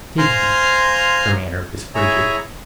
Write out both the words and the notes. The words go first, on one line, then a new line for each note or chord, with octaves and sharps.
"Did he?" Her manner was frigid.
C5 F5 G#5 A#5 C6 F6
E4 G#4 C#5 E5 G#5 A#5